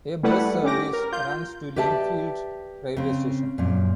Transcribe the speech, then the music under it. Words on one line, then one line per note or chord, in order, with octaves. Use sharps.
A bus service runs to Lindfield railway station.
G3 A3 E4 A4 B4 F#5
C#4 G4 D6 A#6
A#4
F4 G6
G4 B4 D5 E5 A5
C#3 C4
F#2 A#2